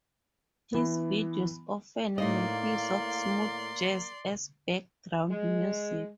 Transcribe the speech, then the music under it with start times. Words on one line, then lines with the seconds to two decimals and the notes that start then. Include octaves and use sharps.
His videos often make use of smooth jazz as background music.
0.73 E3 B3
2.18 A2 A#3 D#4 D5 D#5 F5 C6
5.30 G#3